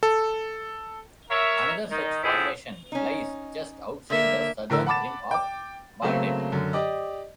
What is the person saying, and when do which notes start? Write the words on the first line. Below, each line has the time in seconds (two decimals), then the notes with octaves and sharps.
Another such formation lies just outside the southern rim of Baldet.
0.03 A4
1.30 A#4 C#5 E5
1.91 D#3 D#4
2.24 D3 F3 E4 G#4 C#5 G5
2.92 C#4 D#4
4.10 D3 A#3 E5
4.70 A2 D3 A#4 E6
4.86 F#5 A5 B5 D6 A6 E7
5.31 G5 D6
6.02 C#3 F#3 A3 A#3 C4
6.52 F#2 D3
6.73 G4 D5 D#5